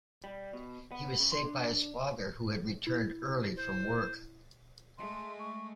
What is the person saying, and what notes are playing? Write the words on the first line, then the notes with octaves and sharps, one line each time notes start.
He was saved by his father, who had returned early from work.
G3
B2
B3
C#3
C6
D4
E4
C5
G#3 A3 C6
C#6